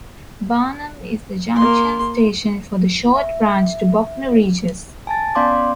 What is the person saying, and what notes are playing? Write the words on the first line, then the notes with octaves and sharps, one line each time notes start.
Barnham is the junction station for the short branch to Bognor Regis.
A#3 C6
E5
G#5 A5 A6
B3 C#4 D5 F5 C6 D6